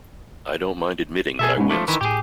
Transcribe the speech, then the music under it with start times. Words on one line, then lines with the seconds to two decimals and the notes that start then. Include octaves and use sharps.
I don't mind admitting that I winced.
1.39 B2 G#4 A4 E5
1.57 G#2 B2 G#3 C#4 D#4
1.70 F3 A3 D6
1.88 D#3 E3 E4
2.01 A2 G4 G#4